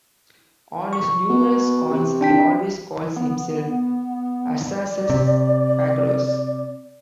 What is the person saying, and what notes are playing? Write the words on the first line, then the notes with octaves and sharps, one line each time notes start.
On his numerous coins he always calls himself "Arsaces Pacorus".
C#6
B2
C3
D4 G5 B6
B3
D5
C3